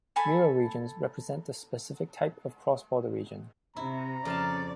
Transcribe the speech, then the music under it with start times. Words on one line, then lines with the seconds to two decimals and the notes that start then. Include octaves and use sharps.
Euroregions represent a specific type of cross-border region.
0.16 A4 G#5 B5
3.76 C3 E4 A#5
4.25 F2 C#3 D5 F5 A5